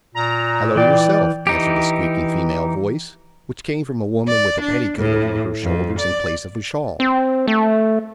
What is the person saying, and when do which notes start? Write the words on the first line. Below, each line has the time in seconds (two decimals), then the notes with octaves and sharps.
"Hallo yourself!" answered a squeaking female voice, which came from a woman with a petticoat over her shoulders in place of a shawl.
0.15 A#2 A#5
0.76 E3 D5 G5
1.47 E3 D#4 G4
4.29 D5
4.61 D4
4.98 A2
5.63 F2
5.99 D5
7.00 C4
7.47 A3